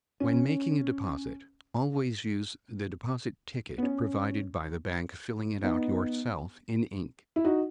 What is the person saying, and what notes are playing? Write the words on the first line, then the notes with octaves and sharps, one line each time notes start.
When making a deposit, always use the deposit ticket provided by the bank, filling it out yourself in ink.
C#4
B3
C#4
B3 D#4
E4
D#4 F#4